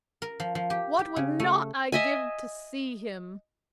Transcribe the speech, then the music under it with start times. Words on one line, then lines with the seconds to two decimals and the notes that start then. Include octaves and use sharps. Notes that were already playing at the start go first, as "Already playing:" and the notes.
What would not I give to see him!
0.22 A#4
0.40 F3
0.55 F3
0.70 G4
0.99 G4
1.16 C#3
1.40 A3
1.92 D#5 E5 G#5